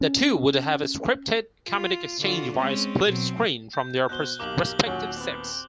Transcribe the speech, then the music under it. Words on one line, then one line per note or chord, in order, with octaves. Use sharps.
The two would have a scripted comedic exchange via split-screen from their respective sets.
C#4
F4
D3 F4 F#4
G#3 C4 C#4
B2 F#3 C4
G6
B2 F#4 C5 F#6 G7
B1 B2 A#3 G4 D6 F#7
D#2 A#2 F#3 C#4
B3 C4